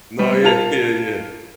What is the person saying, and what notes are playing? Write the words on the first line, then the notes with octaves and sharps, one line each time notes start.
No, yeah, yeah, yeah.
G3 B3
F4 A#4 A5 F7